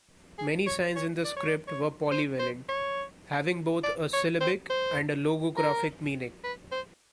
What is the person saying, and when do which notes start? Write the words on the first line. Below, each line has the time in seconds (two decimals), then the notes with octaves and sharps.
Many signs in the script were polyvalent, having both a syllabic and logographic meaning.
0.38 G#4
0.67 C#5
0.96 C#5
1.24 D5
1.36 C#5
1.48 D5
1.67 C#5
2.11 C5
2.39 C5
2.69 C#5
3.84 D5
4.13 C#5
4.41 C5
4.70 C5
5.57 A#4
6.44 B4
6.72 C5